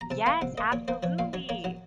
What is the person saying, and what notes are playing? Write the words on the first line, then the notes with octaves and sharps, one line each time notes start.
Yes, absolutely.
A#5
C3 A5
A#3 F5
C3 F#5
A#3 D#5
A#2 C#5
A#3 C5
F3 C#5
A#2 F5
F#3 C#5
A#3 C#5
F#3 F#5